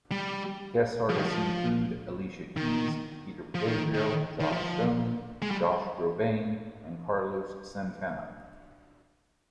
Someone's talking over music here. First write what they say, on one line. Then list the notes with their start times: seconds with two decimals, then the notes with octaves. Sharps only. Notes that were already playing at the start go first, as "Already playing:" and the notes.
Guests artists include Alicia Keys, Peter Gabriel, Joss Stone, Josh Groban and Carlos Santana.
0.12 G3
1.09 F3
1.18 D#3
1.26 F3
2.57 D#3
3.55 F3
3.68 D#3
3.94 D#3
4.40 D#3
4.52 F3
5.42 G#3
5.51 G3